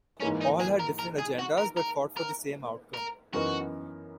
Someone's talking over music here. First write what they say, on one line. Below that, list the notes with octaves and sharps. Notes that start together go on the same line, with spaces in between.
All had different agendas but fought for the same outcome.
G#2 E3 A#3 C#4
D#4
G#4
A#4
A#4
G#4
F#4
A#4
A#4
A#4
A#4
F#2 E3 B3 D#4 F#4 A#4